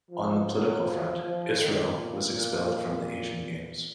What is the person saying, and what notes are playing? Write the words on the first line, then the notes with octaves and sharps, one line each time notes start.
On the political front, Israel was expelled from the Asian Games.
F3
F#3
F3
F3
D#3
A#2
A#2